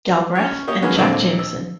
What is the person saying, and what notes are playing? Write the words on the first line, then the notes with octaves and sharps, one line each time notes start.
Galbreath and Jack Jamison.
C#4 C#5
A#3 G4 C#5 D#5
D#3 G#3 A#3 B3 C#4 F#4
D#2 A#2 D3 A#3 C4
E6